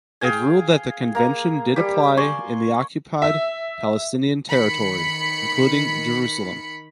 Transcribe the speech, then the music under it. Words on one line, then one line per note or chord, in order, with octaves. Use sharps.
It ruled that the Convention did apply in the Occupied Palestinian Territory, including Jerusalem.
G#4 F5 G5 G#5
A#3 A#5
G3 G4
D5 G#5 C6 C#6
E5
D#3 B5 C#7